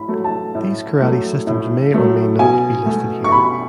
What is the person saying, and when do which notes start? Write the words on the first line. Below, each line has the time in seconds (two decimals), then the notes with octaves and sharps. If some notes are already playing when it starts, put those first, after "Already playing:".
These karate systems may or may not be listed here.
Already playing: A2 B5
0.08 F#3 A3
0.24 A5
0.55 A2
1.02 F#3 A3
1.47 A2
1.94 F#3 A3
2.39 B2 G#5
2.86 A3
3.24 C#6
3.31 B2 B5